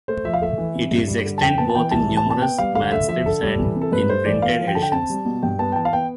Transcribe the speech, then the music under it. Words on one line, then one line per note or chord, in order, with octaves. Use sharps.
It is extant both in numerous manuscripts and in printed editions.
A3 C5
F3 E5
F5
A3 E5
E3
C3
G2
G3
D3
A5
F2 G5
B3 A5
A5
E3 G5
C2 A5
E3
A5
C3
A5
B3 G5
G3 F5
D3 F5
A3 E5
F3 E5
D3 A4
G3
E3
C3
A4
G2 B4
A3 C5
E3 D5
B3 F5
F3
G5
D3 A5
G5
C4 A5
G3
B2
G2 G5
B3 A5
G5
E3 A5
F5
B3 G5